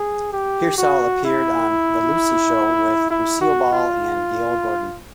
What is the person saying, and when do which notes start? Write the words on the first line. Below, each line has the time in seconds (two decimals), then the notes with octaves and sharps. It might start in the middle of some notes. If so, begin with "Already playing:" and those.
Piersall appeared on "The Lucy Show" with Lucille Ball and Gale Gordon.
Already playing: G#4
0.32 G4
0.78 F#4
1.25 E4
3.11 E4
3.41 F#4
3.72 F4